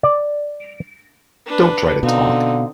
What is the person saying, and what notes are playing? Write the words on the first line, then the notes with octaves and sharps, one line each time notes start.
Don’t try to talk!
D5
D4 B4
B2 D3 C4 D#4 F5